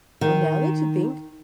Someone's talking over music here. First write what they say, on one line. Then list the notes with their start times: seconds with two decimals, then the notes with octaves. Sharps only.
Oh, now that you think,
0.21 D#3